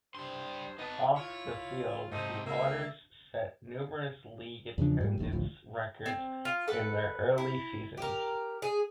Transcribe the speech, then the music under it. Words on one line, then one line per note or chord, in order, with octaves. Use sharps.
Off the field, the Otters set numerous league attendance records in their early seasons.
G2 G3 C5 C6
B3 D#4 A5
E4 F4 C#5
G#2 C3 A3 D#4 C5
C#2 A#3 E5
E2 C#3 F3 D4
G#2 G3
E1 A#1 D#2
A1 D2 A2 F3
C4
F4
A4 B4 F#5
E4
G4 A#4
G#4